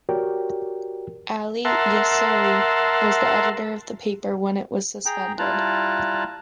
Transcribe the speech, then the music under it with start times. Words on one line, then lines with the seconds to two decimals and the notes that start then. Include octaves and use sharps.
Ali Yasseri was the editor of the paper when it was suspended.
0.09 F#4 G4 A#4 C#5 D5 G5
1.65 A#4 E5 F#5 A5 C6
5.06 G#4 G5 A#5
5.38 G3 E4 F4 A5 A#5 F#6